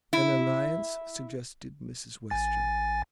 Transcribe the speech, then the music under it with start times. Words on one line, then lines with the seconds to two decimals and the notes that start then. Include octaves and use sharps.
"An alliance," suggested Mrs. Western.
0.13 E4
2.30 A1 G#5 A6